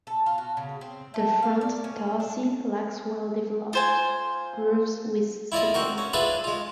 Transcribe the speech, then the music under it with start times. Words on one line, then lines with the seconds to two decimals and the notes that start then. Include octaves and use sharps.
The front tarsi lacks well developed grooves with setae.
0.07 A4
0.26 F4
0.38 F#4
0.57 C#3
0.81 C4
1.14 A3
1.42 F5
1.61 D5
1.84 C#4
2.20 D4
3.73 F4 C5 G#5
5.52 E4 F4 D5 D#5
5.74 C4 F#4 A#4
5.98 C#4
6.13 D4 F4 G#4 B4 D5 E5
6.44 G#3 F4